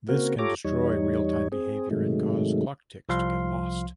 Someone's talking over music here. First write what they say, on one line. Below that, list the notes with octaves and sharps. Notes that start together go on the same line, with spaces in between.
This can destroy real-time behavior and cause clock ticks to get lost.
C#3 A#3 C4 F#4 A#4
F4 G4 A4 C#5 A#5 D6
E2 G3 D#4 C#5
C4 G#4
G#2 C3 D#3 F#3 G#3 A3
C2 F3 F5 C6